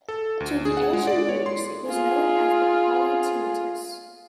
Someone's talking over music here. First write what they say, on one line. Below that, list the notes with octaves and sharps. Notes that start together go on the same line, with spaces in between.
To the ancient Greeks it was known as the Polytimetus.
A4
D2
G#4
F#5
G#3
D5
C#5
C6
F4 G#4